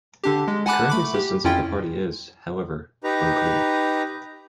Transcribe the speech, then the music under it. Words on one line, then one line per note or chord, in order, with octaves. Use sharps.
The current existence of the party is, however, unclear.
D3 D4 G4
G#3
F#5 G#5 A5 B5 D6 F#6
A3 B5 D6
G4
F2 C#4 E4 F4 G5
D#4 G4 B4 A#5